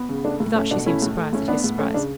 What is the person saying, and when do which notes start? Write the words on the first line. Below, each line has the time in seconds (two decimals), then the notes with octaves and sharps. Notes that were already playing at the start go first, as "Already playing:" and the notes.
He thought she seemed surprised at his surprise.
Already playing: B3
0.09 C#3
0.24 A3 D4
0.40 A2
0.56 A3 C#4
0.71 B2 D4
0.86 A3 C#4 E4
1.02 A2
1.17 A3
1.33 A2 C#4
1.48 B3 D4
1.64 A2
1.79 A3 C#4
1.94 C#3 D4